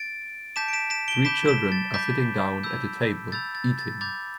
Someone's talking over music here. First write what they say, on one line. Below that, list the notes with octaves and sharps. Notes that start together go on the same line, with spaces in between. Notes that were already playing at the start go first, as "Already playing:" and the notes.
Three children are sitting down at a table eating.
Already playing: A6 D7
A5 D6 G6 B6 E7
D7
B6 E7
B6 E7
D7 G7
B5 D6 G6 B6 E7
B6 E7
A6
B5 D6 G6 B6
B5 E6 G6
B5 E6 G6 A6
A6
A6
B5 D6 G6 A6